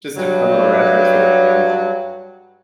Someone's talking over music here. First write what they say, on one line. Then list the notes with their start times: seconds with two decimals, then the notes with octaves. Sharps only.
Just a fun little reference for the fans.
0.17 G2 F#3